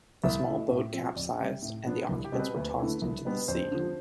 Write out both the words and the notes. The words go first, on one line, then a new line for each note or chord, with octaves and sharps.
The small boat capsized and the occupants were tossed into the sea.
C2 E5
B2 A3 E4
A2
F3 C4
F2 D5
C3 G3
A2
F3 B3 D4
C2
G4
B2 G3 C4
B4
D2 B4
D3 A3 E4
C2
B2 G3 B3 D4
F2 C5
D3 F3